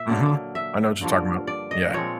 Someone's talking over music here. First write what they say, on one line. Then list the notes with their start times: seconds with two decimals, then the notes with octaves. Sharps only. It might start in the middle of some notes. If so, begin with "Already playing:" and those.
Mhm. I know what you're talking about. Yeah.
Already playing: A#2 E5
0.09 D3 F#3 A#3
0.55 E5
1.01 G2 D3 F3 A#3
1.47 D5
1.71 D#5
1.94 A#2 F3 G#3 C4 C#5